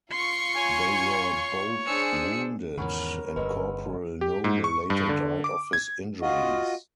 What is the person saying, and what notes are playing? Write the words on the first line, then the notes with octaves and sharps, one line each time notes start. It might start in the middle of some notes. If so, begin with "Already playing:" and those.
They were both wounded, and Corporal Noble later died of his injuries.
F4 C6 C#6 C#7
C#5 G#5
D4 G#4 C5 E6 C#7
E2 G#2 D#3 B3 C#4 A#4 C#6
G1 G#3 B4 E6
G4
G#2
C#6
G2
D3
D6
G#6
F4 F#4 D#5